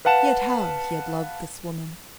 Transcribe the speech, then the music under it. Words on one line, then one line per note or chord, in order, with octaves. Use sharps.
Yet how he had loved this woman!
B4 F5 F#5 A5 E7